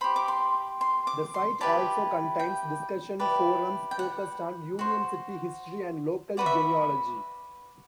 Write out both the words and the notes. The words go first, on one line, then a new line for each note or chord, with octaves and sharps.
The site also contains discussion forums focused on Union City history and local genealogy.
G4 C5 B5
D6
C6
C6
D6
C6
E4 G4 B4 D5 A5
G5
E4 G4 B4 D5
G5
F#5
F#4 C5
F#4 B4 D5 F#5
E5